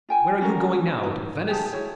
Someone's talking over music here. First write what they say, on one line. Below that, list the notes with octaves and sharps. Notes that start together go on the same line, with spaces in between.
Where are you going now--to Venice?
F4 G5 G#5
C#4 F#4 A#4
D#4
G4 G#4 A5
E4 F#4 C#5